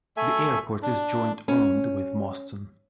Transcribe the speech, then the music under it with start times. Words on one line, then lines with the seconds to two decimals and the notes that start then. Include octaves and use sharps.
The airport is joint owned with Mauston.
0.17 A3 A4 E5 G#5
0.82 D4
1.48 C#4